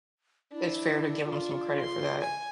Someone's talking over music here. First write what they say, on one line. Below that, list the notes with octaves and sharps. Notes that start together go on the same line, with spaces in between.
it's fair to give 'em some credit for that.
D4 E4
F4
C6
G#5